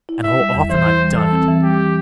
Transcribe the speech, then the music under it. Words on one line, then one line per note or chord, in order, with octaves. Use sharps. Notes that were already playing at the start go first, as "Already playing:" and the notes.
And how often I've done it!
E4
E4 E5
G3
E2
E3 C5
E4
G3
E3 A4
C4
E3
G3 G4
E3